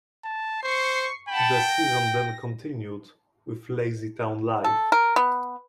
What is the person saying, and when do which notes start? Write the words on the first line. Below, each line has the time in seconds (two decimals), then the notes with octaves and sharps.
The Season then continued, with LazyTown Live!
0.24 A5
0.63 C5 C#6 C7
1.29 F#5 G5 A5 B5
1.70 A#6
4.64 A4
4.92 A#4
5.16 B3